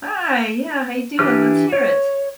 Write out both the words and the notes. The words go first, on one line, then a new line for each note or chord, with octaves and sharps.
Hi, yeah, how you doing? Let's hear it.
E3 D4 G4 B4 F6
C#5